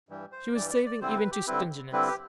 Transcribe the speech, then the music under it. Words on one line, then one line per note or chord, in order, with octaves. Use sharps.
She was saving even to stinginess.
G2 E3 G3
C5
G2 E3 G3 D5
D5
D5
D3 G3 C4 E4 C5
B4
G4
D3 G3 C4 E4 B4
D3 G3 C4 E4 B4
G4